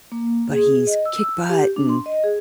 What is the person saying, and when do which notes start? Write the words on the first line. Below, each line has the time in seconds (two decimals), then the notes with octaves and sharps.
but he's kick butt and,
0.12 A#3
0.52 G#4
0.87 D#5
1.05 E6
1.49 G4
1.76 D4
1.89 C6
2.06 D#5
2.24 G#4